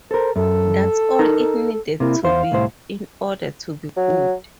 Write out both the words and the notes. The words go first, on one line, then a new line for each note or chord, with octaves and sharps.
That’s all it needed to be in order to be good.
A4 A#4 C5
F#2 A4
D#4 A#4 A#5
C3 A#3 E4
E2 C5 F5
C2 A2 C5
F#3